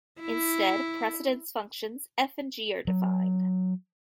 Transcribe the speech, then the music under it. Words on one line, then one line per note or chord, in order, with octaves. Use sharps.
Instead, precedence functions f and g are defined.
E4
F#3